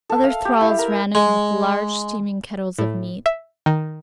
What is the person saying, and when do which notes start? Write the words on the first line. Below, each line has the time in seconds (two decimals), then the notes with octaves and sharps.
Other thralls ran in with large steaming kettles of meat.
0.10 A4
0.24 F5
0.45 G4
0.61 E4
0.79 A#4
1.15 G#3
2.78 A2
3.26 E5
3.66 D#3